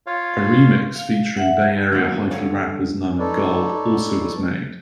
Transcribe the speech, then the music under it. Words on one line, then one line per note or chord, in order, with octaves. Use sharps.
A remix featuring Bay Area hyphy rappers Nump and Gold also was made.
F4 C#5 F5
F5
E5 F#5
D3 F#3 G#3 A#3 B3
G2 D3 C#5 F5
D#4 A4 B4 C#5 D5